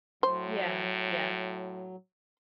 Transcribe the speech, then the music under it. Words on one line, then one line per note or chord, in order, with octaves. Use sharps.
Yeah, yeah.
A2 F#3 C5